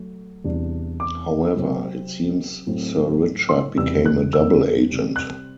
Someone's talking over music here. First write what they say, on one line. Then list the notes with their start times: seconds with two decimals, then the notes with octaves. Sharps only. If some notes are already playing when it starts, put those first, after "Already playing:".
However, it seems Sir Richard became a double agent.
Already playing: F#3 A3
0.44 E2 C3 G3 D4
1.00 D6
1.56 C3 F#3 C4
2.66 A2 F#3 A3 C4
3.49 C6
3.77 E2 C3 G3 B3 E6
4.06 F#6
4.33 E6
4.89 C3 G3 C4
5.16 F#6